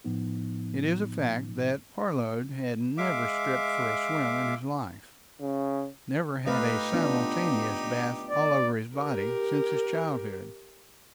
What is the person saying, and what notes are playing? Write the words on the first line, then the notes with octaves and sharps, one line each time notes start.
It is a fact that Parload had never stripped for a swim in his life; never had a simultaneous bath all over his body since his childhood.
A2 F3 B3 D#4
G#3 E5 F5 D6
C#3
A3 D#4 G4 B4 F5
B3 D4 F4
D5
G4 A#4